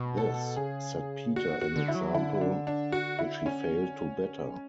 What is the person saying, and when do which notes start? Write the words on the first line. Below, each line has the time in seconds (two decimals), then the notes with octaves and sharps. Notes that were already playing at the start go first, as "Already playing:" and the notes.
This set Peter an example which he failed to better.
Already playing: B2
0.17 A4
0.56 C#3 G#4
1.35 D3 F#4
1.61 F#4
1.76 D3
1.88 E4
1.95 F#3
2.14 D3 E4
2.41 D4
2.67 D4
2.92 F#4
3.19 E4
3.46 C#4
4.50 G#3